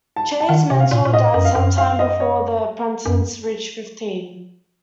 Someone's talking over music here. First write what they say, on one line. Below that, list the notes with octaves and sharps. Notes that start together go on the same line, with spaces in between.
Chade's mentor died some time before the apprentice reached fifteen.
A5
A5
D#3 F#5
C3
F5
A#2
A#2
A2 D#5
F#2
F5
F#2
F5
D#5
C#5
F#2